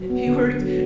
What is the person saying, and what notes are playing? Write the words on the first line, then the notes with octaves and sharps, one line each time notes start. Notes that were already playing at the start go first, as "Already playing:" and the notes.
If you were to
Already playing: F#3
B3
D3
D3
F#3